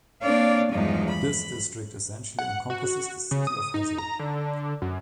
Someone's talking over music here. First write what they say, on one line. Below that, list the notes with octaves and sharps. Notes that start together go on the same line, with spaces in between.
This district essentially encompasses the city of Hazard.
A#3 C4 D4 C#5 D5 F5
E2 G2 F3 F#3 G#3 D#4
B5
F#5
F#4
C#3
D#6
D#6
D#4
A#5
D3
F#2